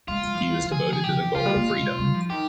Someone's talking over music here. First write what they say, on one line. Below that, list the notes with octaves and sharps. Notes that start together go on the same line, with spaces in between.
He was devoted to the goal of freedom.
G#3 F4
G#3
F3
G3
F3
F3
G#4
G#4
G4
F3 F4
G3
A#3
G#3
G#3
G3
F3
D#3 G4